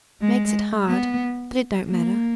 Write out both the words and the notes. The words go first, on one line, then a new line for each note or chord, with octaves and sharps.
Makes it hard; but it don't matter.'
G#3
B3
A#3